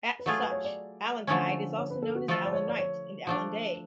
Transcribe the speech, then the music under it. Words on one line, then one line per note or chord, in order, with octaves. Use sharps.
As such, Allantide is also known as Allan Night and Allan Day.
B4
F#3 A3 F4 G#4 A4
B4
C#5
D5
D3 F3 A3 C#4
C#5
B4
A4
F#4
F3 A3 F4 A4
D5
C#5
D5
C#5
F3 A3 D4